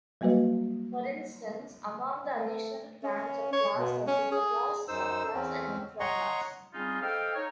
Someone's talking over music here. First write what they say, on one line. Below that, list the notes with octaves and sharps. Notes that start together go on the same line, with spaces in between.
For instance, among the additional ranks of class are superclass, subclass and infraclass.
F#3 G3 A#3 F#4 B4 D#5
A3
C#4
C#5
B2
C#4
G#4
F#2 D#4 C5 E6
E2 C4 C#4
C#5 D#5 F#5 A#5 C6 C#6
G3 C4 C#4 D#4 F4 G#4
A4 C5 D#5 F5 G5
D#4 C#5